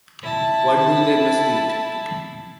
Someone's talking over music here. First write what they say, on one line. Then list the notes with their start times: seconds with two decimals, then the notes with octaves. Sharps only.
What do they must eat?
0.23 E4 A5